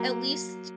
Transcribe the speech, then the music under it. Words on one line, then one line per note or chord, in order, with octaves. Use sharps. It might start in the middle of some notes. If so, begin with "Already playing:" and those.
at least,
Already playing: F#3 A#3